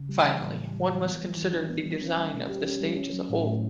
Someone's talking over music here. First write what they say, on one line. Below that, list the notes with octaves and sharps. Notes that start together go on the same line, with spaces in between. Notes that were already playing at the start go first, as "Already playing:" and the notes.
Finally, one must consider the design of the stage as a whole.
Already playing: C#3
G3
E3
A2
A2
G3
E3
B3
G3
E3
D4
B3
G3
C#4
G3
B2
G4
C#4
G3
C#4
F#3
A2
A2